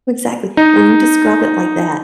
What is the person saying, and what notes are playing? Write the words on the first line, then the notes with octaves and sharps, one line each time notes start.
exactly. When you describe it like that,
D#4